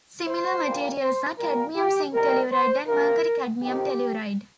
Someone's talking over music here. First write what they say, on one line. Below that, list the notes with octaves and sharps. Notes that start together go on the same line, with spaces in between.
Similar materials are cadmium zinc telluride and mercury cadmium telluride.
C5
A#2 G3 A#3
C5
A#2 G3 A#3 A#4
G4
C3 D#3 G3 A#4
C5
C3 F3 A#3 A#4
F2 D#3 C4 G4